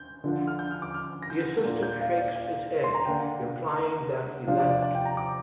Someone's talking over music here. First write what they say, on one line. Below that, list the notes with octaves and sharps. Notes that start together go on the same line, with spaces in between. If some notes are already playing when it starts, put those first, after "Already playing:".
The assistant shakes his head, implying that he left.
Already playing: G6
D3 F3 D4
F6
G6
F6
D6
F6
A#6
G6
A#2 A#3 D4
G6
F5
D5
F5
C6
A#5
D3 A#3 D4 G5
A#5
C3 F3 D4 F5
D5
C5
D5
D5
G5
A#5
D6